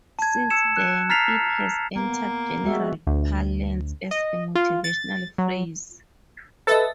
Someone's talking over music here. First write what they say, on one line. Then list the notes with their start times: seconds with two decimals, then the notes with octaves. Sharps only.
Since then, it has entered general parlance as a motivational phrase.
0.19 A5 G#6
0.50 E6 G#6 C#7 E7
0.76 F#6 C#7
1.09 A#5 F6 A6 B6 C7 F7
1.96 A#3 B3
2.64 G#3 F#4 E5
3.07 D2
4.11 D#5
4.55 F4
4.84 A6
5.38 F#3
6.67 A4 B4 D#5 E5 A6